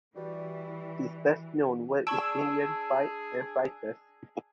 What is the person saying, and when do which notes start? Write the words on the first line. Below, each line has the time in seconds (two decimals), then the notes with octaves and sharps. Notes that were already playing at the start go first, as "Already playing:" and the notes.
His best-known work is "Indian Fights and Fighters".
0.16 E3 G3 F#4 B4 D5
2.07 D4 G#4 A5 C#6 E6 G#6